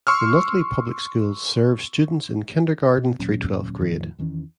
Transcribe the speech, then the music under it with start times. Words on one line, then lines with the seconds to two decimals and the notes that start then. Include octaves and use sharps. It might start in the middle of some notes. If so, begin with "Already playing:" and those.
The Nutley Public Schools serve students in kindergarten through twelfth grade.
0.07 C6 C#6 E6 F6
2.97 B2
3.19 D#1 A#2 F#3 C#4
3.79 E2 A2 D#3 F3
4.19 E2 D#3 E3 C#4